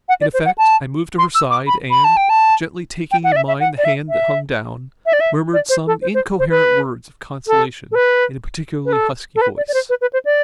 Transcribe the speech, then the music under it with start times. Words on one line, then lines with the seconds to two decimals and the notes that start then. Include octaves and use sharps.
In effect, I moved to her side and, gently taking in mine the hand that hung down, murmured some incoherent words of consolation in a particularly husky voice.
0.09 F#5
0.21 D5
0.34 C5
0.45 F#5
0.58 A5
1.18 C6
1.35 E6
1.50 D6
1.67 B5
1.91 B5
2.04 A5
2.17 G5
2.29 A5
3.11 G5
3.24 F#5
3.32 D5
3.36 E5
3.48 E5
3.60 F#5
3.78 D5
3.85 E5
4.09 E5
5.06 E5
5.13 D5
5.20 E5
5.53 D5
5.69 C5
5.87 A4
6.02 C5
6.14 C5
6.39 C5
6.50 B4
7.47 A4
7.92 A4
7.95 B4
8.85 B4
8.93 A4
9.35 A4
9.41 B4
9.57 D5
9.68 D5
9.74 C5
9.89 B4
10.01 B4
10.13 C5
10.25 D5